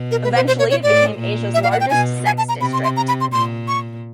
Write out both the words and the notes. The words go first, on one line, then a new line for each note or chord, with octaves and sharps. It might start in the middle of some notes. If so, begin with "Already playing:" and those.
Eventually it became Asia's largest sex district.
Already playing: B2
A#4
B4
C5
C5
C#5
C#5
A2 D5
A#2
E5
F5
F#5
G5
B2 G#5
G#5
A5
A#5
C3 B5
C6
C6
A#5
B5
C6
A#2 C6
C#6